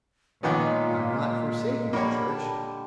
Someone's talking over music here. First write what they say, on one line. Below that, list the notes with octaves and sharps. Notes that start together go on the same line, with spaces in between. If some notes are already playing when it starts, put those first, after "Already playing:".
I am not forsaking the Church.
A#2 D#3 G#3 A#3 B3 C#4 F4
D3 G3 A#3 C#5 B5
A5